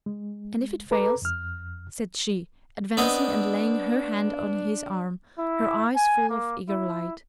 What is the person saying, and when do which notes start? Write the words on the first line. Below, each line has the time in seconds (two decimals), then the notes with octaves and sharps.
'And if it fails,' said she, advancing, and laying her hand on his arm, her eyes full of eager light.
0.06 G#3
0.91 A4 B4 A#5 D6
1.22 F2 F6
2.97 B3 C4 D4 D#5
5.38 E4
5.96 G#5
6.29 A#3
6.69 E4